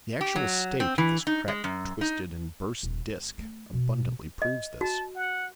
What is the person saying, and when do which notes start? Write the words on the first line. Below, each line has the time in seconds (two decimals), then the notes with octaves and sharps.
The actual state of this cracked, twisted, and burst disc abundantly proves this.
0.21 G4
0.36 F#3
0.80 C4
0.98 E3
1.27 D#4
1.48 G#3
1.64 F#2
2.01 D#4
2.83 D#1
3.08 G1
3.38 A3
3.73 B2
4.42 D#5
4.81 F#4 A5
5.16 F#5